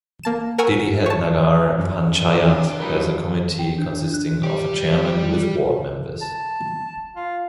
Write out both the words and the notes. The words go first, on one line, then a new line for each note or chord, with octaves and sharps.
Didihat Nagar Panchayat has a committee consisting of a chairman with ward members.
A#3 A5 E7
A#4 F#5 G#5 A#5 C#6 E6
C#5 A5
F#2
C3 D4 F4 G4
E3 F#3 A3 D#4 A#4 B5
G5
D4
D4
F#6
G3 G4
A5
F4